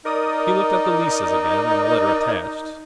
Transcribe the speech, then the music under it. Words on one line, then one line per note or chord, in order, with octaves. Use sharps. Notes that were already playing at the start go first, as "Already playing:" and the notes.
He looked at the leases again and the letter attached.
D#4 A#4 D5 D#6